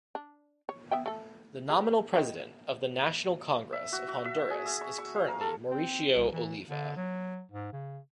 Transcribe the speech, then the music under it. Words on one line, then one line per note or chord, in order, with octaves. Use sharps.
The nominal President of the National Congress of Honduras is currently Mauricio Oliva.
D4
C#5
B3 E5 G5
A3 A4
G#4 B4
D#3 F#3 B4
E5
F#4
F#4
E5
E5
G#4
E5
C#6
C#6
F5
A#4
A4
C4
C2
E3
D3
F#3
G#2
C#3